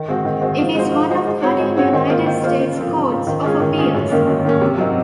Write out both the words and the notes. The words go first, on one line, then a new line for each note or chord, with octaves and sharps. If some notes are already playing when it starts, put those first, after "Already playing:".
It is one of thirteen United States courts of appeals.
Already playing: D#3
G#3 C4 F#4
D#3
G#3 C4 F#4
F3
G#3 D#4 F#4 C5
F3
G#3 D#4 F#4 C5
G#3
C4 F#4 C#5
G#3
C4 F#4 C#5
D#3
A#3 F4 C5
D#3
A#3 F4 C5
C#3
F3 C4
C#3
F3 C4
D#3
G#3 C#4 F4 G#4
D#3
G#3 C#4 F4 G#4
F#2
D#3 A#3 C#4
F#2
D#3 A#3 C#4
C3
F#3 C4 D#4 F#4